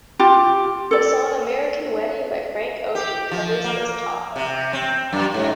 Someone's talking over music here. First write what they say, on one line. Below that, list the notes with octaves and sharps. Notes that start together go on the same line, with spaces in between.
The song American Wedding by Frank Ocean covers this topic.
F4 G4
A4 D5
G4
F3
A#3
C3
C4
F#2
G#2